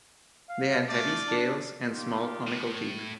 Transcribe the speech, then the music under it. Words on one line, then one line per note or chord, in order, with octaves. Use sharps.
They had heavy scales, and small conical teeth.
F5
A3 F4 D5
D4
D#4 F4 G4
A2